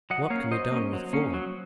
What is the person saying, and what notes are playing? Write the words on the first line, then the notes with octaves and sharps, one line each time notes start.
"What can be done with four?"
F#3 D#5 F#5
A#3 C#4 C#5 F5
F#3 C5 D#5
A#3 C#4
F#3
A#3 C#4
F#3